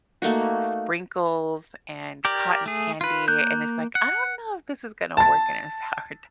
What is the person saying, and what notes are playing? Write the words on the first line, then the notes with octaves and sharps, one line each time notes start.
sprinkles, and cotton candy, and it's like, "I don't know if this is gonna work in a sourdough.“
A3 A#3 D#4 F#4
G4 A#4 D5
A3 G#4
F4 B4
A#3 F#6 G6
F#5
A5 A6